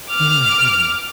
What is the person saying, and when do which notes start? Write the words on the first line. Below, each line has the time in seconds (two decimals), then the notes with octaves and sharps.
Mm, mhm.
0.10 D6 F6